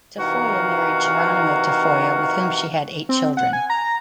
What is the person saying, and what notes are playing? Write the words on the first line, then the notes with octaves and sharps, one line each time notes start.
Tafoya married Geronimo Tafoya with whom she had eight children.
C3 E3 D#4 F#4 A#4 F5
C4
F#5
G#5
A#5